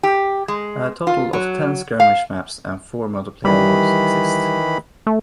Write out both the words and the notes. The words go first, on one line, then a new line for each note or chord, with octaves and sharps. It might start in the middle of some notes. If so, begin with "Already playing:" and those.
A total of ten skirmish maps and four multiplayer modes exist.
G4
G#3
F4
F#3
F5
D#3 E3 G3 B5
A3